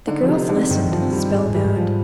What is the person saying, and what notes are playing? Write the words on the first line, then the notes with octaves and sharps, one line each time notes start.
The girls listened, spellbound.
D3 D#4
F3
C3
D#4
D3
C4
G2 D#3
G2 F3
C4
G3
G2
G#2 G#3
G#2 G3
G#2
F3